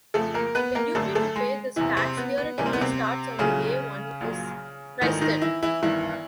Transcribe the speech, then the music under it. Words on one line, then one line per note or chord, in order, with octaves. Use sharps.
The duty to pay this tax theoretically starts on the day one is christened.
F2 C#3 F3 A3 A4
A#3 A#4
B3 B4
A#3 A#4
G#1 F#2 D3 F#3 A3 A4
A3 A4
G#3 G#4
F#1 E2 C3 E3 E4
C3 C4
B3
B3
D2 C3 E3 G3 A#3 C#4
C4
B3
C3 C4
C2 A#2 C#3 F#3 A3 C#4
A#1 A#2 F#3
A#1 G#2 D#3 E3 A3 D#4
D#3 D#4
E3 E4
E3 E4
G1 G2 D#3 E3 E4